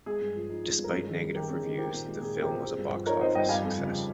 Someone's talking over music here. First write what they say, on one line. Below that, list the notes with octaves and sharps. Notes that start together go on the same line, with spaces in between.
Despite negative reviews, the film was a box office success.
G#3 G#4
G2
F3
D#4
G#3
G2
A#4
C#4 G#4
D#3
G#4
G3
D#3 G4 A#4
C#4 G#4
D#3 G#4
C4 G4 A#4
A#2
G#3
A#2 G#4
C4
G4 A#4
A#2
C4 G#4
G2
F3
D#4 A#4 C#5
C4 C5 D#5
G2 D#5 G5
G3 F5 G#5
F2
C#3